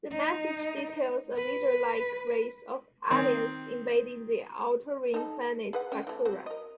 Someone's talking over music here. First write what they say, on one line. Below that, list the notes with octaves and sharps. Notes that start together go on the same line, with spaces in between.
The message details a lizardlike race of aliens invading the Outer Rim planet Bakura.
D#4
B4
D#3 C4
D#4 A4
G#4 B4 F#5
C#4 F5 G5
E3 A3
F#3 C4 F#4
A#4 D#5